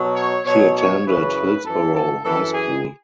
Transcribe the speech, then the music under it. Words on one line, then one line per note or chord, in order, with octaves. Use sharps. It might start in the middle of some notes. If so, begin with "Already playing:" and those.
She attended Hillsborough High School.
Already playing: B2 F#3
C#5
B2 F#3 C#5
C#5
F#2 C#3 E3 B4
F#2 E3 A4
A4
F#2 E3 A4
G#4